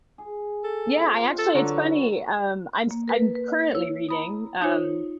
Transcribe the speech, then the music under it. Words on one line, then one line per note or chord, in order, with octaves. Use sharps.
Yeah, I actually it's funny, um, I n s I'm currently reading, um,
G#4
A4
C3 F4
A4
D3 F#3 F#4 B4
A#3
A#4 B4
B4
E4 C#5
A#5 B5 D#6
D#4 F4 C5 C#5